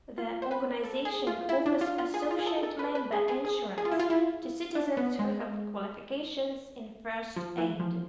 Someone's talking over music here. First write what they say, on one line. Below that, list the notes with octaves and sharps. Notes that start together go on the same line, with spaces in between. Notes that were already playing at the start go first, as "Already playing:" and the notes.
The organisation offers associate member insurance to citizens who have qualifications in First Aid.
F4
C5
B4
A4
G#4
F4
E4
D4
F4
F4
G#4
F4
G#4
A4
A4
B4
B4
G#4
G#4
G#4
G#4
F4
E4
F4
E4
D4
B3
G#3
G#3
F3
E3
F3